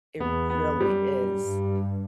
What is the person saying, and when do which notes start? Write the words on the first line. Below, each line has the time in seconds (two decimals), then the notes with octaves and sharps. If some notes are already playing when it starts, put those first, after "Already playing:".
It really is.
0.20 E2 B3
0.50 B3
0.80 F#2 G3
1.40 G2